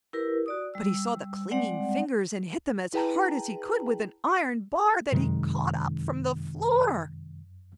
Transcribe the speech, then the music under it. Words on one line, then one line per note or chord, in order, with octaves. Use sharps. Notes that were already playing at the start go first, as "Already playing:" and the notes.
But he saw the clinging fingers, and hit them as hard as he could with an iron bar that he caught up from the floor.
E4 G4 A#4 B4
F#4 D5 D#6
G3 E6
G3 G#3 C4 D5 F#5
E4 G#4 B4 G5 A5 A#5
F#2 C3 D#3 G#3